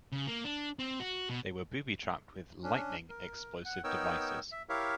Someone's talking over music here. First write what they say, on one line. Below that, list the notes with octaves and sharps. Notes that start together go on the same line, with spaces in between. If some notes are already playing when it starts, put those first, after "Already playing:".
They were booby-trapped with "Lightning" explosive devices.
C#3
A#3
D4
C4
F#4
B2
C#4 D4
A#4
F#5
B3 D#4 A#4 C#5 G5 E6
E5
E4 G4 A#4 C#5 E5 F5